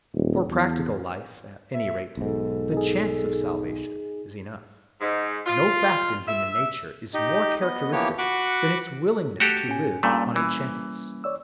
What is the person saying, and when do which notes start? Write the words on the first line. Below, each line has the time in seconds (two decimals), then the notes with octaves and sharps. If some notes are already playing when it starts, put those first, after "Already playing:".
For practical life at any rate, the CHANCE of salvation is enough. No fact in human nature is more characteristic than its willingness to live on a chance.
0.14 D#1
0.49 E2
1.74 E5
2.17 B1 G#2 A4
2.73 D#4 G#4
5.01 G#2
5.46 F4
6.28 E5
7.14 D#4 G4 D#5
7.61 B3 D#5
7.92 E3 F3 A#3 B3 G4 C#5
8.18 F#4 F#5 B5 C#6 D6
9.40 A3 F#4 G4 A4 F#6
9.66 A2 C#4 G#5
10.03 G2 A#2 G3 A3 A#3 C#4
10.36 E3
11.24 C#5 D5 E6